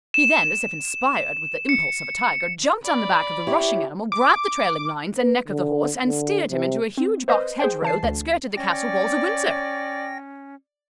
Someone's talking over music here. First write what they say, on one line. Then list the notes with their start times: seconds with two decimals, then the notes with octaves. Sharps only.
He then, as if inspired with the impulse of a tiger, jumped on the back of the rushing animal, grabbed the trailing lines, and neck of the horse, and steered him into a huge box hedge row that skirted the castle walls of Windsor.
0.14 E7
1.69 C#7
2.84 D5 B5
3.47 E4 G4 C#5
4.12 D6
5.19 B4
5.48 D3
6.05 D3
6.50 C3
6.98 C4
7.28 B4 C5 D#5
7.59 G#4 C5 G5
7.82 E3 A5 C7
8.03 D2
8.57 C#4 D5 G5 A#6